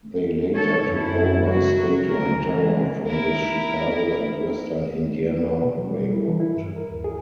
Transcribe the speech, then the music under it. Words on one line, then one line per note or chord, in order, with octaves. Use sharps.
They later took over State Line tower from the Chicago and Western Indiana Railroad.
A4 C#5
F#2 E4
F#3 F#4
C#3 A#4
E3 G#3
E4 A#4
B4
B2
F#3
G3
E4
E3
E4
G2
A#4
D#2
G#4